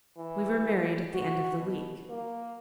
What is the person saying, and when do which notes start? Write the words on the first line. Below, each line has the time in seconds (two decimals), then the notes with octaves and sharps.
We were married at the end of the week.
0.17 E3
1.14 F#4
1.58 B2
2.09 A#3